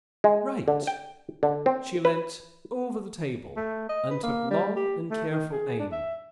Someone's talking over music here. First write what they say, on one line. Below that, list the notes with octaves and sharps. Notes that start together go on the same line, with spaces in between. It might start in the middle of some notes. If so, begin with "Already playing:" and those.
"Right." She leant over the table and took long and careful aim.
G#3
D3
G5
D3
C4
B4
A3
D#5
B4
A#3
G3
G4
A3
D#3
G#4
D4
E5